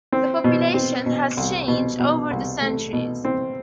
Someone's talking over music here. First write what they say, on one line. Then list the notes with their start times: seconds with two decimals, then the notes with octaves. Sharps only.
The population has changed over the centuries.
0.12 C4
0.44 B2
0.74 C4
1.06 B2
1.37 C2
1.68 B2
1.99 B2
2.31 C2
2.61 A3
2.93 B2
3.25 C4